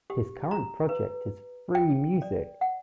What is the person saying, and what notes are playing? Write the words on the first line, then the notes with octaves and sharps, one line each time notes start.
His current project is Free Music!
G4
A#5
B4
G5
D5
F#5